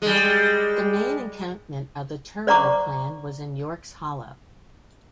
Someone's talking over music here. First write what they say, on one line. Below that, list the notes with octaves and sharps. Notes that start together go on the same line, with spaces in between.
The main encampment of the Turrbal clan was in "Yorks Hollow".
G3 G#3
C5 D5 F#5 A#5 C#6 D6